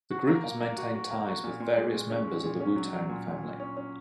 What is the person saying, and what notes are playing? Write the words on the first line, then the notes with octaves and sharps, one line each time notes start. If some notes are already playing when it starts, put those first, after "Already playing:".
The group has maintained ties with various members of the Wu-Tang Family.
F#4
A#3
A#3
A#3
F#4
F#4
A#3
F#4
A#2
A#2
G#3
A#2
C#4
G#3
A#2
C#4
F#3
F#3
A#2
A#2
A#2
C#4
C#4